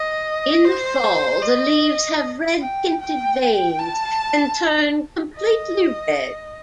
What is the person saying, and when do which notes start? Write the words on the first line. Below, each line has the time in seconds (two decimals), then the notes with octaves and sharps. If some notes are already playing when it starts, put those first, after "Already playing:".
In the fall, the leaves have red tinted veins and turn completely red.
Already playing: D#5
0.64 C5
1.42 D#5
2.61 G5
3.01 G5
3.79 A5
5.37 D#5